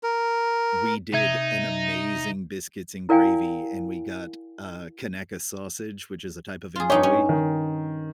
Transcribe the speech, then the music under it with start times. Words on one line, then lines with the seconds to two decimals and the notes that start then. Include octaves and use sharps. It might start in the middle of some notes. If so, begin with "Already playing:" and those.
we did an amazing biscuits and gravy, and we got, uh, Conecuh sausage, which is a type of Andouille.
0.03 A#4
1.13 C3 D#4 E5 G#6
3.09 E4 A#4 D5 F5 G5 G#5
6.76 F4 G#4
6.90 G2 D#4 G4 C#5
7.03 C#4
7.29 D#3